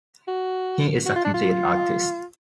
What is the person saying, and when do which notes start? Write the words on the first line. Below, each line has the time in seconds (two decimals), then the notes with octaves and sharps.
He is a complete artist.
0.28 F#4
1.06 F#4
1.16 F4
1.25 D4
1.34 F4